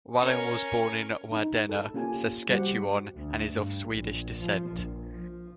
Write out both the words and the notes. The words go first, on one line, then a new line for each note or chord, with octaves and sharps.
Wallin was born in Wadena, Saskatchewan, and is of Swedish descent.
C#4 A#4
D#4
A4 A5
A#3 C#4 F4 G4 G#5
G3 F#4 G4 C5 F#5
D2
G2
A#1
F3
A#1
F3